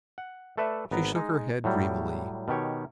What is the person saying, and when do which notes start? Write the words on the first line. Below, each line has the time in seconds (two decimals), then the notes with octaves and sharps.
She shook her head dreamily.
0.18 F#5
0.57 A3 A4 B4 D5 E5
0.91 G#1 B3 A#5
1.16 G#3 D#4
1.64 A2 F#3 G3
2.48 B2 D#3 G4 C#5